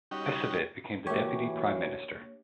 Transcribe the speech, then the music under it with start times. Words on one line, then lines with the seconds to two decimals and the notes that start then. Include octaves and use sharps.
Ecevit became the deputy prime minister.
0.11 G3 C#4 D#4 F#4 G4
1.07 E3 A3 A#3 D4 F#4 G4 C#5